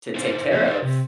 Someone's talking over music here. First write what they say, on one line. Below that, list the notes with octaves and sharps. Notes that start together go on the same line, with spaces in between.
to take care of
D#4 E4 C5
C#3 F3 F#3 A#3 C4
B4 C5 D5
C3